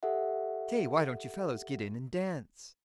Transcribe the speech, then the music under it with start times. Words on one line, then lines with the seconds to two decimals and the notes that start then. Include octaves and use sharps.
"Say! why don't you fellows get in and dance?"
0.03 G4 A4 E5 F#5